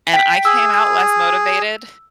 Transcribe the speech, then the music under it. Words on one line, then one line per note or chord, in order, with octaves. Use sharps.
and I came out less motivated
G5 B6
G#4 E6